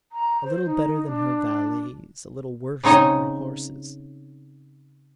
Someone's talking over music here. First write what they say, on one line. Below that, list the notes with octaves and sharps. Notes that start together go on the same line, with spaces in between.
A little better than her valets, a little worse than her horses.
A#5
C5
D#4
D4
C#3 C4 D#4 C#5 D#5